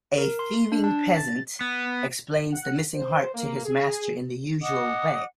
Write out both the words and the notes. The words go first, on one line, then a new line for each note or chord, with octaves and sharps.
A thieving peasant explains the missing heart to his master in the usual way.
A#4
C6
D4
A5
A6
B3
F#5
C5
A#3
G#4
D#5 F#5 D6 D#6